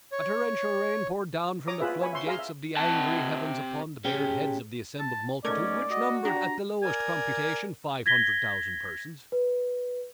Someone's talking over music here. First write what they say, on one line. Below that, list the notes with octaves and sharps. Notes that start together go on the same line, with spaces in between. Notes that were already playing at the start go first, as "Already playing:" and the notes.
A torrential rain poured down from the floodgates of the angry heavens upon the bared heads of the assembled multitude which numbered at the lowest computation five hundred thousand persons.
C#5
C#5 A#5 D6 D#6
F4 G#4 B4 E5
C#5 G#5 B5
E5 C6 C#6
G#4 F5 A#5 C6
E5
C3 A5
C#4 G4 G#4 G5
A5
G#2 A3 C#4 A#4 D5 G#6
F#4 D#5
D4 G4 A#5
A#4 D5 G#5
G#6 A#6 B6 G7
B4